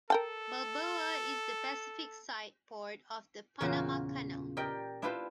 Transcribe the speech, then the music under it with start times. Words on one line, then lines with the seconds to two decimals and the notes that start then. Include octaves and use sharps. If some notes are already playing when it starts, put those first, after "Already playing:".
Balboa is the Pacific-side port of the Panama Canal.
0.10 A4 A#4 G5 A5
3.60 E2 A#2 C#3 F4 F#4 C5
4.57 G4 A#4 D5 D#5 G5
5.02 D4 E4 F4 G4 B4 C5